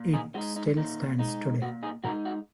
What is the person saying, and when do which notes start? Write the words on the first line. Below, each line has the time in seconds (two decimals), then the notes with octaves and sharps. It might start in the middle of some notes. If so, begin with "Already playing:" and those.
It still stands today.
Already playing: A#2
0.13 D#4 G#4
0.34 G#3 F#4
0.38 D#4
0.56 D#4
0.77 A#2 D#4
1.19 G#3 D#4
1.62 A#2 F#4
1.83 D#4 G#4
2.04 G#3 D#4 F#4 A#4
2.25 F#4